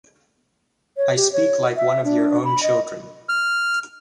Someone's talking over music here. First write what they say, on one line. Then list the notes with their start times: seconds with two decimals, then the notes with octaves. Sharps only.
I speak like one of your own children.
0.97 C#5
1.16 G4
1.33 C#5
1.77 E5
2.04 D4
2.44 B5
2.63 D#5
3.29 F6